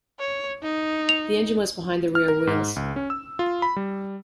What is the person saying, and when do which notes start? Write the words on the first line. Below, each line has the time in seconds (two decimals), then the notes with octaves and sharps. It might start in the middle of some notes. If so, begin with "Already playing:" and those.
The engine was behind the rear wheels.
0.20 C#5
0.63 D#4
1.09 F7
2.15 F6
2.28 A#4
2.47 G#2
2.76 C#2
2.96 C#4
3.10 E6
3.39 F4
3.62 B5
3.76 G3